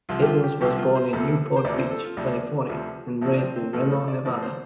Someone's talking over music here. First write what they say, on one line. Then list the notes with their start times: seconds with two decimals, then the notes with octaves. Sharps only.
Ivens was born in Newport Beach, California and raised in Reno, Nevada.
0.09 C2 C3 F3 F4
0.22 G4
0.26 F4
0.44 G4
0.61 C2 C3 F3 G4
0.78 F4
0.95 C5
1.13 D2 C3 F3 A4
1.56 C5
1.65 D2 C3 F3 D5
1.78 C5
1.91 A4
2.04 F4
2.17 D2 C3 F3 D4
2.69 D2 C3 F3
3.21 A1 A2 F3 A3
3.34 D4
3.39 C4
3.56 C4
3.73 A1 A2 F3 A4
3.91 A4
4.08 D5
4.25 A1 A2 F3 D5
4.42 C5